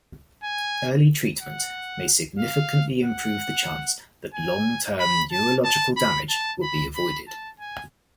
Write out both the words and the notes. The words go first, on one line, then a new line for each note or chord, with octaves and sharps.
Early treatment may significantly improve the chance that long-term neurological damage will be avoided.
G#5
F#5
F5
F#5
G#5
B5
A5
A5
B5
A5
B5
B5
A5
G#5